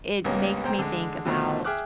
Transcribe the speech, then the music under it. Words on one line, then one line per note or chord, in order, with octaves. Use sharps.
it makes me think about
C#2 G2 A#3 B3 C#4
B1 C5 G5 A#5
D3 G#3
B2 D3 F3 A3
G#4 E5 G5 D6 F6 F#6